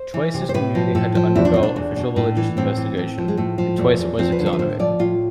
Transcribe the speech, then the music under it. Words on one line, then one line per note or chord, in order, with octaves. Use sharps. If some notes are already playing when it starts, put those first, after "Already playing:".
Twice his community had to undergo official religious investigation, and twice it was exonerated.
Already playing: C5
E3
C3
C5
A2 B4
F3
A2 A4
F3
E2 E4
D4
B2 C4
D4
E2
B2
A2
E3
A2 C4
E3
A2
F3
G#3
A2 A3
F3
E2 A3
E2
F3 C4
B4
D3
A4
B4
A2 C5
F3 D5
A2 F4